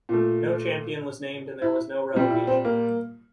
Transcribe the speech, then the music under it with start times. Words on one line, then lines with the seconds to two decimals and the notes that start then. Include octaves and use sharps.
No champion was named and there was no relegation.
0.09 A#2 A3
1.62 E4
2.13 A#2 G3
2.30 E4
2.47 C4
2.65 A#3